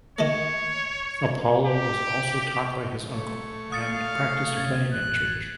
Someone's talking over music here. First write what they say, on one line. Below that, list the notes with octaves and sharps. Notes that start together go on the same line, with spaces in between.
Apollo was also taught by his uncle and practiced playing at church.
D#3 A3 A#3 C#5
G4
A3 C#5
F5 D#6 A6 C#7
D2 C3 C#4 G#6 A6
A1 F#2 F#6